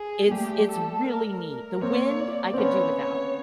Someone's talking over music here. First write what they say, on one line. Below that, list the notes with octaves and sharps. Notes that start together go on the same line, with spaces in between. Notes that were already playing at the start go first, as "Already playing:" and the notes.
It's it's really neat. The wind, I could do without,
Already playing: G#4
A#3
G3 A3 G4
A4
A#4
A#4
A#3 C4 C#5
D5
C4
B3 C#4 C#5
C#5